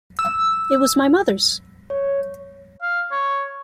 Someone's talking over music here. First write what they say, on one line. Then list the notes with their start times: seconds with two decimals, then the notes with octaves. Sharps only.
It was my mother's.
0.19 E6
1.90 C#5
2.82 F5
3.12 C#5